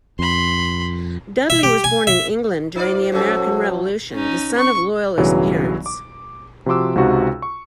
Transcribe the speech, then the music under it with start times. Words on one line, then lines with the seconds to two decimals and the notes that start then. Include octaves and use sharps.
Dudley was born in England during the American Revolution, the son of Loyalist parents.
0.19 F2 B5 C6
1.50 E5
1.63 G4
1.84 G#5
2.07 E5
2.76 D#4 F4 C5 D5
3.12 A2 F#3 C#4 A4
4.11 C#4 D#4
4.58 C#6
5.18 B1 G2 C#3 E3 F#3
5.86 D6
6.66 C3 F3 F#4 C6 D6 E6
6.95 C#2 C3 D#4 F#4 F5
7.42 C#6